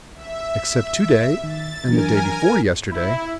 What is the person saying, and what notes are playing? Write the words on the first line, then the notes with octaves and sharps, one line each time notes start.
"Except to-day, and the day before yesterday."
E5
D#3 A6
E3 F#3 D4 A#4 G#5
E4